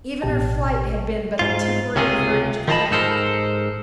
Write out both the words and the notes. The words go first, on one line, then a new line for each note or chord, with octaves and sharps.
Even her flight had been but the temporary courage of panic.
A1 B2 G4 A5
G#2 F4
C#2 C3 C#4 F4 G#4
D#3 F3 F4 D#5 A5 B5
G#2 D#4 A4 A#4 C5